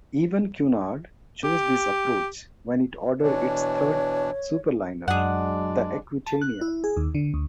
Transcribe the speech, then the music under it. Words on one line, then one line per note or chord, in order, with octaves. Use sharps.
Even Cunard chose this approach when it ordered its third superliner, the "Aquitania".
G4
B2 E3 D4 C#5
F#2 F#3 G#3 D4 G#4 D5 F#5
A5
F#6
E4
G#4
D#2
D3
D2